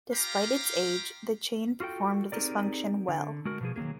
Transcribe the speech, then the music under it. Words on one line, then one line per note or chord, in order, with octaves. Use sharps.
Despite its age, the chain performed this function well.
F4 G4 F5 A#5
F4 F#4 A4 G5
C4 D#4 G4 G#4 A#4 D5
D3
G#3 F#4 A#4
B2 F3 G#4
D#3 F#3 A#3 G#4